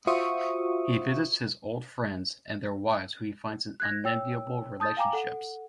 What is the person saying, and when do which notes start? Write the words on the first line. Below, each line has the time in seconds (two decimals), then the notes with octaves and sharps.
He visits his old friends and their wives who he finds in unenviable relationships.
0.07 F4 F#4 C5 E5 C#6 D#6
3.80 F#6 G#6 A#6
4.04 C#5 G5 E6
4.80 A5 D#6 G6 A6
4.97 F5 G5 G#5 A#5 D6
5.13 A4 F#5